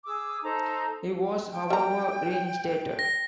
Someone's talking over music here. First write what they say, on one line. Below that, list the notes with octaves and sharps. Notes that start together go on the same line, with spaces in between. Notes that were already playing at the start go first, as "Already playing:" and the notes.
He was, however, reinstated.
G#4 D6 E6
D#4 A4 C5 A#5
G5
G3 A#5
A#6